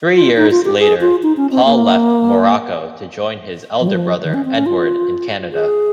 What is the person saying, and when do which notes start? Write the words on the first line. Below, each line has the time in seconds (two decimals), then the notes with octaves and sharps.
Three years later Paul left Morocco to join his elder brother Edward in Canada.
0.15 F4
0.37 D#4
0.51 F4
0.65 G4
0.79 G#4
1.01 F4
1.23 D#4
1.37 C#4
1.51 C4
1.65 A#3
3.81 F3
3.87 G3
3.94 F3
4.23 D#3
4.34 C#4
4.45 C4
4.55 C#4
4.66 F4
5.52 G#4